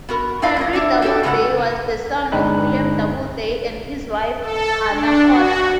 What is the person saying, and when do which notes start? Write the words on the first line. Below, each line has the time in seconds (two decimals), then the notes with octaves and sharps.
Henry Doubleday was the son of William Doubleday and his wife Hannah Corder.
0.09 B3 F#4 A#4
0.42 E4 F4 B4 D5 D#5 F5
0.56 F#2 A#3 D#5
0.73 D4 E4 D5
1.02 F#4 G4 A4 C#5 D5
1.23 G#2 C#3 F#4 G4 A4 F#5
2.32 G1 G#3 D4 D#4 B5 F#6
4.40 A4
4.89 D4
5.24 F#4